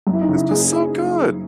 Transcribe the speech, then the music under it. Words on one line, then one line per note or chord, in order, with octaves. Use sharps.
this was so good.
F#2
E4
D#4
C#3
E4
F#1 G#4